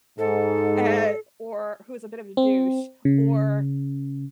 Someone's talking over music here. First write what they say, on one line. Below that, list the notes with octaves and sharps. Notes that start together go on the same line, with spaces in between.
and or who's a bit of a douche, or
G#2 A4
C4
C#3